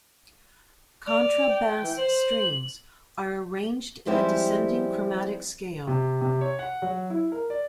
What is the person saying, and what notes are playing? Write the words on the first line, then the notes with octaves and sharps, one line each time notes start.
Contrabass strings are arranged in a descending chromatic scale.
D5 F7
G5
E3
C5 F#7
F3 G3 G#3 C4 E4 G4
C3
C3
C#5
F#5
F#3
E4
A#4
D5